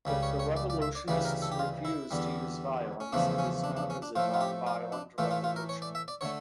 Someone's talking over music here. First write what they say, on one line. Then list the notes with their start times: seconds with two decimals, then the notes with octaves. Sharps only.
If the revolutionists refuse to use violence, it is known as a nonviolent revolution.
0.05 C#2 C#3 G3
0.23 C#5
0.39 C#5
0.57 D5
0.70 D5
0.82 E5
0.95 D5
1.08 D2 C#3 E3 G3 D5
1.25 A#4
1.42 A4
1.52 G4
1.59 F4
1.85 E4
2.11 E2 D3 G3
3.00 C#4
3.13 E2 C#3 F3 A3 D4
3.38 C#4
3.64 D4
3.77 D4
3.90 C#4
4.02 D4
4.16 A2 F3 A3 F4
4.34 F4
4.41 G4
4.67 F4
4.92 D4
5.18 A2 E3 A3 F4
5.31 F4
5.44 F4
5.56 A#4
5.69 C#5
5.82 D5
5.95 E5
6.08 D5
6.21 D3 A3 C#5